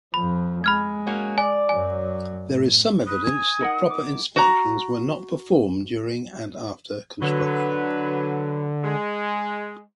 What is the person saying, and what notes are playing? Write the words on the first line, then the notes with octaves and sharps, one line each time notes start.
There is some evidence that proper inspections were not performed during and after construction.
F2 F3 B5
G#3 B5 F6 G#6
A#3 C#4 F#4
D5 G#5
F#2 F#3 G#5
A2
B4 D#6
G#5
D#4 A#4 F#5
D6
F#4 A#5
D3 F#3 B4
G#3